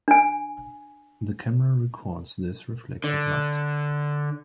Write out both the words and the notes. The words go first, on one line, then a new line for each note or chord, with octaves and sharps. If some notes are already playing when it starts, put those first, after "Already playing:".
The camera records this reflected light.
D4 G#5
D3